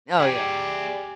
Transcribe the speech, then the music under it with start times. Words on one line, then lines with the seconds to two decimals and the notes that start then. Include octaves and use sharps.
Oh, yeah.
0.20 G4 G#4 D5 G#5